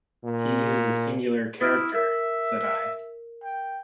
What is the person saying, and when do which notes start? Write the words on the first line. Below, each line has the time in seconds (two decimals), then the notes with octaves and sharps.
"He is a singular character," said I.
0.24 A#2
1.61 E4 D#6 F6 D7
1.94 A#4 E5
3.44 G5